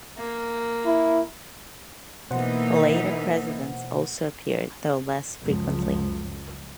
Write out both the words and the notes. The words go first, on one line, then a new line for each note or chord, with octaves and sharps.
Later presidents also appeared, though less frequently.
A#3
E4
B2 E3 A#3 D#4 C5 F#5
C#2 F#2 F3